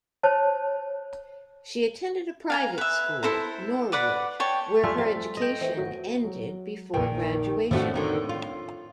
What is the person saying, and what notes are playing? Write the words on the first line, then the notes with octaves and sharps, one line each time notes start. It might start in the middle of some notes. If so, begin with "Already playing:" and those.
She attended a private school, Norwood, where her education ended before graduation.
C5 C#5 A5
F5 G#5 A#5
B4 E5
E4 A4 C5 A#5
B4 D5 F#5 B5
C#5 G5 A5
F2 G3 A3 F4 G#4 E5
G3 A3 C4 A6
D#5 G5
E3 C4
G1 F#3 F#4
F#3
A#1 D#3 G5
A2 F3 A3 C4 D4 F#4
D3 D#3 A#3
F4